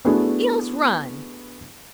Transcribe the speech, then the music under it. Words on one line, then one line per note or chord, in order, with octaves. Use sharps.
"Eels run!"
A3 B3 D4 E4 F#4 G#4